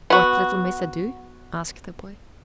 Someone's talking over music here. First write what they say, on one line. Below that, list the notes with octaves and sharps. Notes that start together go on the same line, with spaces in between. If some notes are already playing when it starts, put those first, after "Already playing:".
"What little Missa do?" asked the boy.
B3 F#4